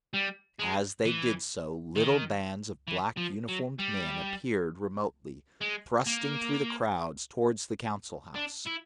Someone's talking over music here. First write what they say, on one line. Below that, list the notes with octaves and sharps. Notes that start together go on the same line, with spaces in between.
And as they did so little bands of black-uniformed men appeared remotely, thrusting through the crowds towards the Council House.
G3
G#3
E3
D#3
E3
F3
F#3
G3
G#3
A#3
D4
E4